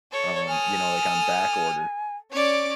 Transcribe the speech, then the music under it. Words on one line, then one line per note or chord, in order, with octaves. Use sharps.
um, you know, like, on back order.
A4 C#5
G#5 D#6 F6
C#4 C#5 D5 D6